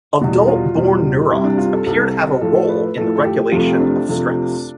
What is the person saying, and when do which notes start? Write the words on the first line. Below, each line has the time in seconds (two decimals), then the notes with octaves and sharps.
Adult-born neurons appear to have a role in the regulation of stress.
0.20 E2 B2 G3
0.48 F4
0.75 E2 B2 G3
1.30 C2 C3 G3 E4
1.44 D4
1.58 F4
1.73 A4
1.87 C2 C3 G3 A4
2.41 A2 F3 A3 A4
2.69 B4
2.98 A2 F3 A3 A4
3.16 A4
3.25 G4
3.52 F2 C3 F3 A3 F4
3.73 C4
3.80 D4
4.08 F2 C3 F3 A3